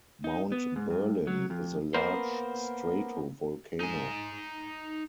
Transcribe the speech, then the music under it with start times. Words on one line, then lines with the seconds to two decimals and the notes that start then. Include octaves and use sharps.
Mount Berlin is a large stratovolcano.
0.24 D#4
0.52 B3
0.76 G#2
0.90 G2
1.27 F#3
1.50 F2
1.94 A#3 B3 A#4 C5
3.80 D#4 G#5